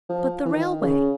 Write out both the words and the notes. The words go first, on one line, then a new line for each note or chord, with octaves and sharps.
"But the railway!"
F3
E3
D#3
C#3